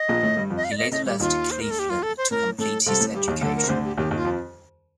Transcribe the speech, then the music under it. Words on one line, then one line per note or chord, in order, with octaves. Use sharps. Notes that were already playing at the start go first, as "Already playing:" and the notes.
He later left Cleveland to complete his education.
Already playing: D#5
A#1 A#2
A2 A3
G2 G3
F2 F3
D#5
F5
D5
D#5
A2 A3 D#5
G2 G3 G4
D#2 D#3 F4
C5
A#4
A4
G4
F4
A4
C5
A2 A#4
A2 A4
C2 C3 A4
A2
G2 G3 G4
D#2 D#3
D2 D3 A4
A#4
C3
D2 D3 C5
G4
D#2 D#3 G4
D#2 D#3
F4
F2 F3